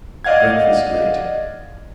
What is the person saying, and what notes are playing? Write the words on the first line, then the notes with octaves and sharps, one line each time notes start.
Breakfast late.
D5 D#5 F5 F#5 G#6